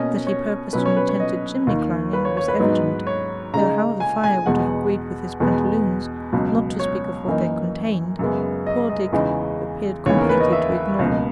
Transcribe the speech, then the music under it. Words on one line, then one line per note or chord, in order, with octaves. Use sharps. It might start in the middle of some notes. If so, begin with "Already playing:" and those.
That he purposed an attempt at chimney-climbing was evident, though how the fire would have agreed with his pantaloons, not to speak of what they contained, poor Dick appeared completely to ignore.
Already playing: B2 A#3 C#4 D#5
C#5
B2 F#3 C#4 B4
C#5
B4
C#5
D#5
D#2 D#3 A#3
B4
C#5
C#5
B4
G#2 F#3 B3 D#4
C#5
C#3 G#3 D#4 A#5
G#5
G#5
E2 B2 G#3 B3 F#5
E2 B2 G#3 B3
C#2 B2 F#3
C#5
F#2 E3 A#3 D#4
F#2 C#3 G#3 B3
D#5
D#5
E2 C#3 E3 G#3 D#4
D#2 C#3 E3 B3 C#5
A#4
B4
D#5
E5
C#2 B2 A#3 D#5